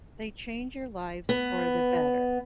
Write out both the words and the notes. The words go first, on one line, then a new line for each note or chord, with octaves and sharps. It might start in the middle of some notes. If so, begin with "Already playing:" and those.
they change your lives for the better.
B3